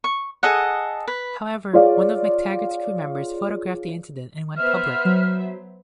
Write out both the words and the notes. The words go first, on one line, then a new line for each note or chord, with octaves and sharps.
However, one of McTaggart's crew members photographed the incident and went public.
C#6
G#4 A4 D#5 F#5
B4
F4 G#4 C#5 D5 F5
B3 C5 E5 F6
F#3